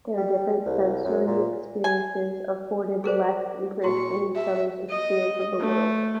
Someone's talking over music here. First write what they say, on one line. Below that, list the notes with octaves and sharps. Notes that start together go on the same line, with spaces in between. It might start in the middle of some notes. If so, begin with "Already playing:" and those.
Their different sensory experiences afforded less interest in each other's experience of the world.
G3
C2
F#2
A#2
G#5
G4 G#4 A#4 C5 D5
A#2 E4 F#4 C#6
E5
D#5
A3